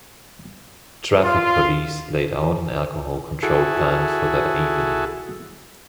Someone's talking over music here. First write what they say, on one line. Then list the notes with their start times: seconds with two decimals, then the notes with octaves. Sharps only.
Traffic police laid out an alcohol control plan for that evening.
1.23 F4
3.43 E4 F#4 G#4 A4